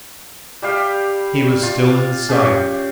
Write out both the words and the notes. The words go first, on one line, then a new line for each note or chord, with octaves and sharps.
He was still in sight.
G3 G4 F5
F4
C#3 G4 C#5